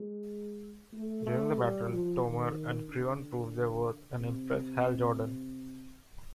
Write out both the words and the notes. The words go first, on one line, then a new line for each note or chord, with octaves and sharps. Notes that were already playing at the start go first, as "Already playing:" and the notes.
During the battle Tomar and Kreon proved their worth and impressed Hal Jordan.
Already playing: G#3
A3
A3
G3
F3
D#3
D3
C3